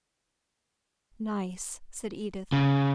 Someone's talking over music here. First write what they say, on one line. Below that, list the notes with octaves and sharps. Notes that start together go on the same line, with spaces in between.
"Nice!" said Edith.
C#3